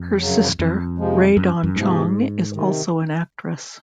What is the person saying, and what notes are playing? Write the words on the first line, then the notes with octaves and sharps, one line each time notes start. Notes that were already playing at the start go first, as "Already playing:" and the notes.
Her sister Rae Dawn Chong is also an actress.
Already playing: F2
F#2 C#3 F#3
F2
C3 F3 G#3
F#2
F#2
G#2 C3 F3 G#3 B3
C3 D#3